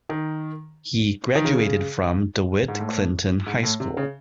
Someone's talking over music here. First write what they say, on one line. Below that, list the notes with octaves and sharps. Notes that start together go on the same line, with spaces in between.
He graduated from DeWitt Clinton High School.
D#3
D#3
C#3
G#2
A2
G#2
A2
C3
C#3